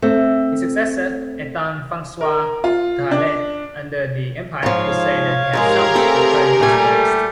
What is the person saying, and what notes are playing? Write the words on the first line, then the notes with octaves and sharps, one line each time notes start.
His successor, Etienne-François Dralet, under the empire, would say that he had salvaged the Pyrenees forest.
A3 C4
A#4
F4
D4
G#2 F3 C#5 F5
G#2 F3 G#3 G4 G#4 A#4
A3 C4 A4
A#2 G3 A3 G#5